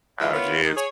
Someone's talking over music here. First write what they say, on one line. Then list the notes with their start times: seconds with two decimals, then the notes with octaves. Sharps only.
Oh, jeez.
0.21 E3 G#3 E4 F4
0.34 B3 E4 F4 A#4 C#5
0.63 D#3 D#4
0.76 G#4 C#5